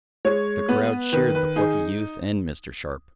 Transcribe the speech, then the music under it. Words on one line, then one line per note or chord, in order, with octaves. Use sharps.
The crowd cheered the plucky youth and Mr. Sharp.
G#3 C#5
B3 B4
D#3 B4
B4
D#4 G#4